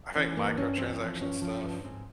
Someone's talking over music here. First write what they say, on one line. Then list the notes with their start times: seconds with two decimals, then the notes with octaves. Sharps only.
I think microtransaction stuff
0.15 E3 C#4
0.36 G2 A#3
0.57 G2 C#4
0.78 E3 C4
1.00 F3 C4
1.21 G2 C#4
1.42 F3
1.64 G2
1.84 G#2 C4